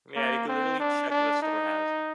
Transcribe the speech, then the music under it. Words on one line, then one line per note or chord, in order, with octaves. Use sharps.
Yeah, you can literally check if a store has it.
A#3
C4
D4
D4
D#4